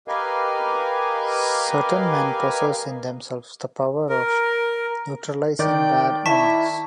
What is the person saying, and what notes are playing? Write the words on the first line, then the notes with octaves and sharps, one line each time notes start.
Certain men possess in themselves the power of neutralizing bad omens.
G4 A#4 B4 D#5 F5 G#5
A#4
D#3 D5 G5 G6
E4 A5 C#6 B6